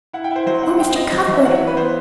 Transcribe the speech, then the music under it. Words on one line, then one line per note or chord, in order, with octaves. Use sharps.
Oh, Mr. Cuthbert!!
E4 F#5
G5
E4 C5
F#3 C5
C4 F#5
C4 G5
C5
C4 D#5
F#3 D#5
C5
F#3
E5
E3 F#5
E5
E3
B4
B3 C5